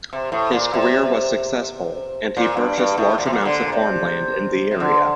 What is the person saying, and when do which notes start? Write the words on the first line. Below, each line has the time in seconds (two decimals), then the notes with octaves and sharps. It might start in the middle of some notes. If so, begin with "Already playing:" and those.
His career was successful, and he purchased large amounts of farmland in the area.
0.13 C3
0.32 A2
0.53 A#2
0.74 C3
2.37 A#2
2.57 G2
2.78 G2
2.98 A2
3.18 A#2
3.26 C3
3.33 A#2
3.45 D3
3.62 A#2
3.72 C3
4.71 C3
4.80 D3